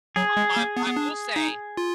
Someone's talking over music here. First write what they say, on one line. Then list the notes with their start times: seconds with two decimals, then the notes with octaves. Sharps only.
M my I will say
0.16 F#3 G#4
0.37 G#3
0.56 A#3
0.77 B3
0.88 B3
0.96 D4
1.36 D#4
1.77 F4